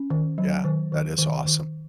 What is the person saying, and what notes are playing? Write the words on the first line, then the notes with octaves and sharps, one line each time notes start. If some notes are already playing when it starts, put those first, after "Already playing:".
Yeah, that is awesome.
Already playing: C#4
D#3
F#3
D#3
D#3
D#3
D#3